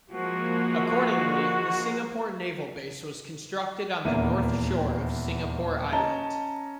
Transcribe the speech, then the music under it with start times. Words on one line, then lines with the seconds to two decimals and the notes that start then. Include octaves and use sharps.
Accordingly, the Singapore Naval Base was constructed on the north shore of Singapore Island.
0.10 F3 G#3 A#3 F#4
4.04 D#1 E2 A#3 E5 D#7
5.92 C#4 D#5 A5 A#5 G7